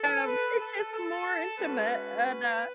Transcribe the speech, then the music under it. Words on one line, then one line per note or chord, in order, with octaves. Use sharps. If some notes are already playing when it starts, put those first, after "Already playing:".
um, it's just more intimate and, uh,
Already playing: A4
B4
A4
A4
G#3 C#4 F#4 B4